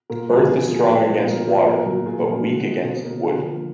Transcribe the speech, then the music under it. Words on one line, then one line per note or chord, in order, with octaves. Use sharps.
Earth is strong against water, but weak against wood.
A#2 A#4
F3 G#3 B3
D3 G#4
F3 A#3 G#4
A#2
F3 G#3 B3
A#2 A#4
F3 A#3
A#2 A#4
F#3 A#3
A#2 G#4
F3 A#3
D3 F#4
G#3 B3
B2
A#3
D3
F3 A#3